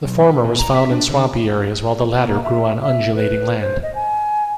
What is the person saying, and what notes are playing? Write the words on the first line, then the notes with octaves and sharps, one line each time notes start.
The former was found in swampy areas, while the latter grew on undulating land.
B1
B3
B2
A#5
E5
D4
D3
A#3
E5
E5
B4
C5
D#5
G#5